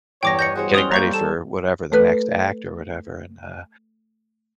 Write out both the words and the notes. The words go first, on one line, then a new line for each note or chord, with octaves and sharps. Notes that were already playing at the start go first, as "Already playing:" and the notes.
getting ready for whatever, the next act or whatever, and, uh,
E2 G2 C#5 G5 D6 A#6
B4 D#5 G6 A#6 C#7
F#4 G#4 C5 C#5
G3 C4 C#4 D#6 F7 G7
A#3 A#5 C#6 G6
A4 E7
A3 A4 B4 F#6